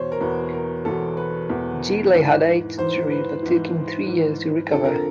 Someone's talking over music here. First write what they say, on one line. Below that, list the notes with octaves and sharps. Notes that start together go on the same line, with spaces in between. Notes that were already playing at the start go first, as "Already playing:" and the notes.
Gidley had eight surgeries that took him three years to recover.
Already playing: E2 B2 C5 C#5
A#4
E2 B2 B4
A#4
E2 B2 A4
B4
E2 B2
G#2 E3
G#2 E3 C5
B4
G#2 E3
G#2 E3
F2 D3 F3 A4
A#4